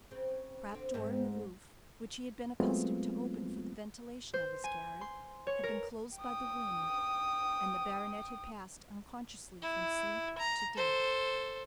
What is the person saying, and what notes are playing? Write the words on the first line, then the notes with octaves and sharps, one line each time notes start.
A trap-door in the roof, which he had been accustomed to open for the ventilation of his garret, had been closed by the wind, and the baronet had passed unconsciously from sleep to death.
C#3 C4
D3 C4
G#2 G#3 C4
F#3 G#3 A3 B3 C4 F4
C5
G#5
C6
C#5
A#4
G5 D#6
E4
A#5
A4 C5